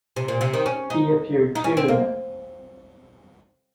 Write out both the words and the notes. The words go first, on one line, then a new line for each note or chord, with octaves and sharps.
He appeared too in It!
C3
A#2
C3
D#3
C#4
D#4
D#4
C#4
C4
A#3